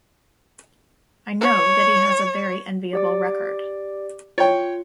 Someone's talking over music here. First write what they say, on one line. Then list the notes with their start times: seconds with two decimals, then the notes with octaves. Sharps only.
I know that he has a very enviable record.
1.41 C#5
2.93 G4 D5 D6
4.38 F4 C#5 G5